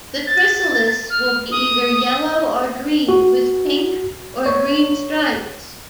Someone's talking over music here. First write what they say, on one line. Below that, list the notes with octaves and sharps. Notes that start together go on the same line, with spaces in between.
The chrysalis will be either yellow or green with pink or green stripes.
A6
F6
D#6
F#4
C#5